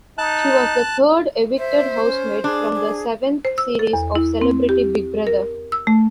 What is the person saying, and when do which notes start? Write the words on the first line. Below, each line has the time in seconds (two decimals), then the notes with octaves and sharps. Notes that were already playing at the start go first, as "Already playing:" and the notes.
She was the third evicted housemate from the seventh series of "Celebrity Big Brother".
0.18 D#4 A5 F#6
1.58 C5 E5
2.05 C#4
2.44 D4 G#4
2.74 G#4
3.45 C5
3.58 E6
3.79 A4
3.93 E2
4.15 E4
4.41 C4
4.69 G4
5.27 A#4
5.72 E6
5.87 A3